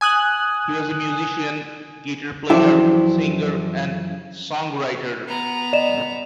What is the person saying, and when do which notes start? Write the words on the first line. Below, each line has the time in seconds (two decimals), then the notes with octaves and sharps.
He was a musician, guitar player, singer, and songwriter.
0.01 G#5 D#6 F#6
2.50 F#2 E3 F3 D4 E4 G4
5.28 B3 A#5
5.73 D5 D#5 E7